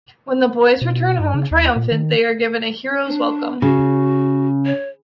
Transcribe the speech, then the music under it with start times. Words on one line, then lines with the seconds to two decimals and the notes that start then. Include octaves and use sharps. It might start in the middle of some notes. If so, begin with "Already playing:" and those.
When the boys return home triumphant, they are given a hero's welcome.
0.81 B2
1.19 G2
1.34 C#3
1.51 D#2
1.76 A#2
1.91 D#3
3.06 D4
3.62 C#3 F#4
4.66 C#5